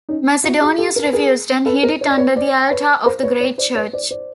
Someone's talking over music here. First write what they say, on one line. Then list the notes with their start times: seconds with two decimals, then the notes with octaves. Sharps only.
Macedonius refused, and hid it under the altar of the great church.
0.09 C#4 D#4
0.44 E4 F#4
0.61 F#4 G#4
0.78 G4 A4
0.96 A#4
1.05 B4
1.13 G#4 A#4
1.66 A4 B4
1.83 A#4 C5
2.01 C#5
2.09 D5
2.17 B4 C#5
2.36 C5 D5
2.71 B4 C#5
3.06 A#4 C5
3.23 B4 C#5
3.41 B4 C#5
3.58 C5 D5
3.75 B4 C#5
3.93 C5 D5
4.11 C5 D5